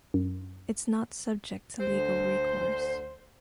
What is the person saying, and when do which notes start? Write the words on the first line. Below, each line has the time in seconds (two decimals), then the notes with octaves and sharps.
It’s not subject to legal recourse.
0.14 F#2
1.81 D2 C5